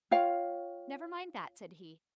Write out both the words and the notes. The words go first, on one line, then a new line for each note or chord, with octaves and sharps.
"Never mind that," said he.
F4 C#5 F5 G5